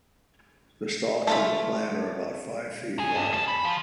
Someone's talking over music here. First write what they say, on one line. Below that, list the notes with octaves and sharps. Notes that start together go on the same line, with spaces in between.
The stalks of the plant are about five feet long.
A3 F4 B5
C#4 G#4
G2
G#4 A5
B5
F3